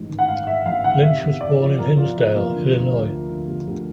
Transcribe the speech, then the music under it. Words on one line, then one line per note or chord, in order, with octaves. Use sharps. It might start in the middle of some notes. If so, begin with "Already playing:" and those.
Lynch was born in Hinsdale, Illinois.
Already playing: A1 G#2 G#3
D#3
F#5
G#2 F5
G#3 E5
A1 F5
D#3 F#5
C3 E5
E2
E2 D5
F3
C3 A#4
E2 F4
E2 E4
F3 A#3
D3
D2
D2
F3
D3
D2
D2